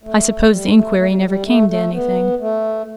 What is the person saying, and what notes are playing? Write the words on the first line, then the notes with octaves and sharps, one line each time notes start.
I suppose the inquiry never came to anything.'
A3
G3
A3
A3
G3
F#3
G3
A3
A3
B3
A3